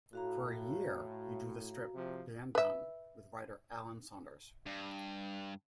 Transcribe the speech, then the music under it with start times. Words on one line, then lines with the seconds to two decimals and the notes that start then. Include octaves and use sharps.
For a year he drew the strip "Dan Dunn" with writer Allen Saunders.
0.13 A2 F#4 F5 A#5
1.95 C3 F3
2.55 B4 E5
4.66 G2